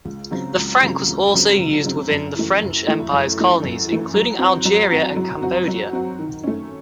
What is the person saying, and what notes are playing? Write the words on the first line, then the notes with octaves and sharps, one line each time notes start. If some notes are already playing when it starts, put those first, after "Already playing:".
The franc was also used within the French Empire's colonies, including Algeria and Cambodia.
C#2
C#3 F#3 C4
C#2
C#3 F#3 C4
C#2
C#3 F#3 C4
C#2
C#3 F#3 C4
F#2
E3 A3
F#2
E3 A3
F#2
E3 A3
F#2
E3 A3
F#3
C4 F#4
F#3
C4 F#4
F#3
C4 F#4
F#3
C4 F#4
D#3
A3 C#4